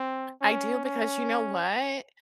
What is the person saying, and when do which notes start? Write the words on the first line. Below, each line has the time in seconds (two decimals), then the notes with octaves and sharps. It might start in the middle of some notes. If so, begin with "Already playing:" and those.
I do because you know what,
Already playing: C4
0.41 C#4
0.85 C#4